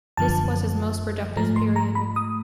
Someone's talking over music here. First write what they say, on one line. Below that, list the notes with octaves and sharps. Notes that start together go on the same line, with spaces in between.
This was his most productive period.
F#2 D3 F3 A5
G#2 F3 A3 A#5
C6
A#5
B5
D#6